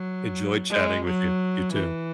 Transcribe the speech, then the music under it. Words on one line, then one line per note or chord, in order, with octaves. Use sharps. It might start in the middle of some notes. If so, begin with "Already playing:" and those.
Enjoy chatting with you. You too.
Already playing: F#3
G#3
F#3
E3